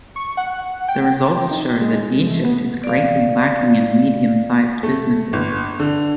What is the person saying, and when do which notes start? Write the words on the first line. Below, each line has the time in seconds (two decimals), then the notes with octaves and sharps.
The results show that Egypt is greatly lacking in medium-sized businesses.
0.16 C#6
0.37 F#5
0.88 G5
1.51 D#4
1.81 G#3
2.27 A3
2.44 B3
2.84 D5 F5
4.83 A3
5.33 G1
5.79 D3